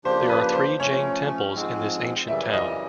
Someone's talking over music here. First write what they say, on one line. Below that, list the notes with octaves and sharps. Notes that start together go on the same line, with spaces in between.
There are three Jain temples in this ancient town.
C#3 F3 A#3 D4 G4 C5
B4
C5
F3 A3 C#4 C#5
G#2 F3 G#3 C4
F#2 C#3 E3 G3 E5
D#5